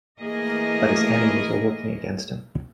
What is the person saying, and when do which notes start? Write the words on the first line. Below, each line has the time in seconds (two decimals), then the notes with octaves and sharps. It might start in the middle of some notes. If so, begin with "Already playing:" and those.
But his enemies were working against him.
0.21 E3 A3 A#3 G#4 A#4 D#5